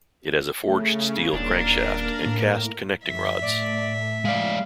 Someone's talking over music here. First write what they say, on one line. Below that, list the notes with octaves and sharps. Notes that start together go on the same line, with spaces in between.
It has a forged steel crankshaft and cast connecting rods.
C#3 A3
D#1 A#3 D4 A#4
A2
F#2 F3 E5
A2 A3 D5
G#3 D5 F5